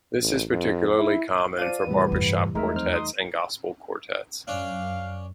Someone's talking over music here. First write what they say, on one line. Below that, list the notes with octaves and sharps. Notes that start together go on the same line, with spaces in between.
This is particularly common for barbershop quartets and Gospel quartets.
A1
F2
E4
F3 D5 F5 D#7
F2 A2 C3 E3 G3 B3
E2 G2
E2 G#3 A3 D#4 A#4 E5
F2 C5 F6
C6 D#6
F#2 C#4 D4 F5